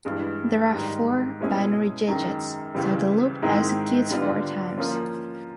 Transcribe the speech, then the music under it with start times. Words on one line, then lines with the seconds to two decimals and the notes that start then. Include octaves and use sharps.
There are four binary digits, so the loop executes four times.
0.05 G2 E3 G#3
0.73 G#2 D#3 G3
1.40 B2 G#3 C#4 E4 G#4
2.07 F#2 D#3 G#3
2.75 C#2 C#3 E3 G3
3.42 G#2 D#3 G#3 C4 E4
4.10 D3 G3 B3 D4 F4
4.78 F3 A#3 C#4 F4